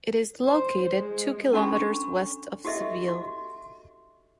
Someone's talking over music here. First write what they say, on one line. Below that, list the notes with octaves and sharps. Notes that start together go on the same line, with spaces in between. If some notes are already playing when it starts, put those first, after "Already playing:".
It is located two kilometers west of Seville.
C5
G#3
C#4 D4 F#4 A4 B5 C#6
F#4 G4 A4 D#5 E5
F#4